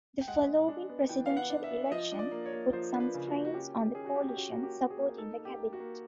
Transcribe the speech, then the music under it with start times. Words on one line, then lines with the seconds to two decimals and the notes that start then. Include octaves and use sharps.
The following presidential election put some strains on the coalition supporting the cabinet.
0.21 G5
0.27 G#3 F#5
0.48 G#3
0.68 D4
0.90 B3
1.09 E3 G5
1.26 B3 F5
1.37 F#5
1.50 D4
1.64 E5
1.71 B3
1.86 E5
1.91 F3 D#5
2.12 D4
2.19 D5
2.31 A#3
2.46 C#5
2.53 A#3
2.73 F3 C5
2.94 D4
3.00 B4
3.14 C#3
3.27 F#4
3.34 A#3
3.45 F#4
3.54 C#4 G4
3.75 D#3 G4
3.95 C#4 G#4
4.06 F#4
4.15 C#4 G4
4.29 G4
4.37 C#4 F#4
4.52 A#3 F#4
4.63 G4
4.76 A#3
4.90 G#4
4.97 A#3
5.18 D#4 A4
5.38 A#3
5.45 G4
5.59 A#3
5.73 F#4
5.80 A#3